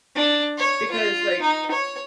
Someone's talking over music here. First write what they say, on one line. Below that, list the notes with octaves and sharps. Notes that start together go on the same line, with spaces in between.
because like
D4
C#5
F4
D#4
C#5